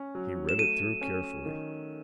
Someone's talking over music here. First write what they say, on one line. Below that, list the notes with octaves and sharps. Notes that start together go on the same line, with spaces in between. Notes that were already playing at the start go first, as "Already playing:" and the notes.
He read it through carefully.
Already playing: C#4
F#3
E7
A3 D#7
C#4
D#3